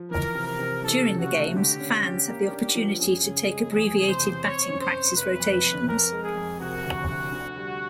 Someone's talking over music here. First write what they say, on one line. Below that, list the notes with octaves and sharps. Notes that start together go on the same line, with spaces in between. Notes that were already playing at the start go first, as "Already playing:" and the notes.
During the games, fans have the opportunity to take abbreviated batting practice rotations.
Already playing: F3
E3 A#4
C3
A#4
C3
E3 A4
C#3
F#4
A3
D3 G4
C#4
C#4
A#3
D4
F3
F#2 G#4
C#3
G#3
E2 G#4
C3
C5
E2
C4 C#5
F#2
C5
C4
F1 B4
F2
F2
F2 A#4
G#3
G#4
F2
C3 F#4
D2
D2
D3
G3